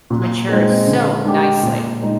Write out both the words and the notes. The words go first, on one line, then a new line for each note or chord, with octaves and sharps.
matured so nicely.
A#2
G#3 C4 D#4 G#4
D3
G#3 D4 G4
A#2
G#3 D#4